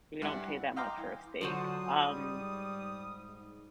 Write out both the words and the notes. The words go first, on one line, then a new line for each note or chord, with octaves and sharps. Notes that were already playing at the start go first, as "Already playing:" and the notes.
we don't pay that much for a steak. Um,
G2 E3 E4 F#5
F#5
D#5 F5 G5 A#5 C6 D6
E3
D3 F#3 F4 F#4 C5 D#6
G#2 G3